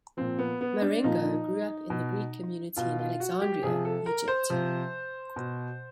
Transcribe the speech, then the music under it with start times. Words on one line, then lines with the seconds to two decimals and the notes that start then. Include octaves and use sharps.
Marengo grew up in the Greek community in Alexandria, Egypt.
0.17 A#2 F3 C4
0.39 B3
0.61 B3
0.82 D4
1.04 A#2 F3 D#4
1.90 B2
2.76 B2 F4
2.99 F4
3.20 F#4
3.42 G4
3.63 C3 F3 G#4
3.85 A4
4.06 A#4
4.28 C5
4.50 C3 F3
5.36 B2